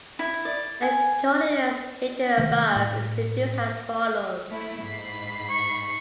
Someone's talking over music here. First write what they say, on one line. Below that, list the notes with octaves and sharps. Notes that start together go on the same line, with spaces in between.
The Corollary stated above is deduced as follows.
E4
D5
G#5
C3 D#3 A3 A#3
A2
A3 E4
G#2 B5 C7
C#6